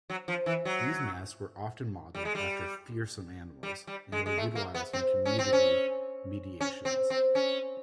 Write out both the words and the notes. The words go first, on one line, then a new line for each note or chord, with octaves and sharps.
These masks were often modeled after fearsome animals and were utilized in community mediations.
F#3
F3
E3
F#3
G3
G#3
G3
G3
G3
G#3
G#3
A3
A#3
B3
C4
C#4
C4
C#4
C#4
C4
C4
C#4